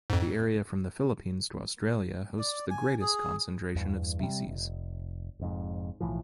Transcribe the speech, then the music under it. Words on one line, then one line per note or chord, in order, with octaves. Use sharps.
The area from the Philippines to Australia hosts the greatest concentration of species.
F2 G#2
D5
G#5
G#4
E2 G2
C3 G3
F1
F1 F2 G#2
B1 A2 E3 F3